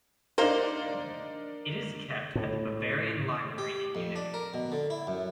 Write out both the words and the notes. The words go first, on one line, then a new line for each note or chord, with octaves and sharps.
It is kept at the Bavarian library in Munich.
A#3 D4 D#4 A#4 C5
A2
G4
F2
D4
A#4
B2
D3
E4
F#2